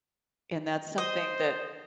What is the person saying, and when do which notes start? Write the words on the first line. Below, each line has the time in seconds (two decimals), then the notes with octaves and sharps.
And that's something that
0.98 C5 D#5